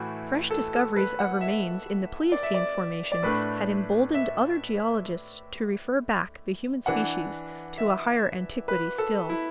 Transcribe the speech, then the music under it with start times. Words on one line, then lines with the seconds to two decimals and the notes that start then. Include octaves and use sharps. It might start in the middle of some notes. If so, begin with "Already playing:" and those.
Fresh discoveries of remains in the pleiocene formation had emboldened other geologists to refer back the human species to a higher antiquity still.
Already playing: A2 E3 A3 E4 F#4
0.51 A4
0.74 A4
0.96 B4
1.19 F#5
1.41 E5
2.32 D5
2.43 E5
2.54 D5
3.12 D5
3.22 A2 A3 D4 B4
4.14 E5
6.86 E3 D4 F#5
7.78 E5
8.68 B4
8.98 A4
9.29 E4